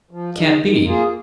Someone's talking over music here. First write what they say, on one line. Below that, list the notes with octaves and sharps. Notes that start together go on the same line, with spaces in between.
Can't be.
F3
G#3 D#4
D#3
A#3 F4 G#4